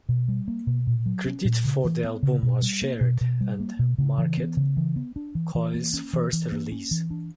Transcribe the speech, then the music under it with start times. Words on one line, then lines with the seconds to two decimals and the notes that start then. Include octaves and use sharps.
Credit for the album was shared, and marked Coil's first release.
0.09 B2
0.28 G3
0.48 A#3
0.67 B2
0.87 A#2
1.06 F#3
1.26 C#4
1.45 A#2
1.65 C#3
1.85 E3
2.04 B3
2.23 C#3
2.43 B2
2.62 G3
2.82 A#3
3.01 B2
3.21 B2
3.41 G3
3.60 A#3
3.79 B2
3.98 C#3
4.18 E3
4.38 B3
4.57 C#3
4.77 E3
4.96 B3
5.16 D4
5.35 E3
5.55 E3
5.74 A#3
5.93 C#4
6.13 E3
6.33 E3
6.52 A#3
6.72 C#4
6.91 E3
7.10 D4